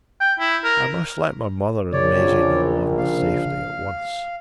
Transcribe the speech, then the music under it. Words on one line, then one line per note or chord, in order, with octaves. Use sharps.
I must let my mother and Maisie know of my safety--at once.
G5
E4
A#4
A#1 C#3 C#5 D5
F5